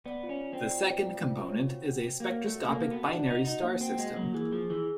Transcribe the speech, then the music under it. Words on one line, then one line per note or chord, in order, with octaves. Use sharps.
The second component is a spectroscopic binary star system.
B3 D5
F4
C#4
F4
C4
D5
F4
D5
F4
F4
C#5
F#4
F#4
F#4
A#3 F#4
C#5
A3
F#4
A#3
A4
B3 F#4
D4 F#4
D#4 F#4
D#4 F#4
A#3
C4 F#4
G#3 F#4
F#3 A#3
E3 G#4
F3 G#4
E3 G#4